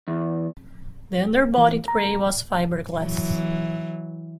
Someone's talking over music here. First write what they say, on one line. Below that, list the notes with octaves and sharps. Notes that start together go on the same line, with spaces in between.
The underbody tray was fiberglass.
E2
E3
A#5
E3 F#3